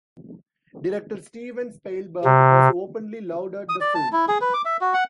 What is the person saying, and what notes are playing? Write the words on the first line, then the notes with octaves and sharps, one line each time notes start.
Director Steven Spielberg has openly lauded the film.
C3
D#6
D5
A5
E4
G#4
B4
D6
E5
F#4
F#5